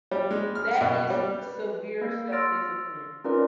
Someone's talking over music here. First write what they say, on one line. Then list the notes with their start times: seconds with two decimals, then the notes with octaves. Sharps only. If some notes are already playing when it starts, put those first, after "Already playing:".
that is severe self-discipline.
0.11 G3
0.31 G#3
0.55 F6
0.81 B2
1.10 G3
1.42 B4
2.01 A#3
2.32 C6 E6 F6 A6 A#6 D7
3.24 C#4 D#4 F4 A#4 B4 D5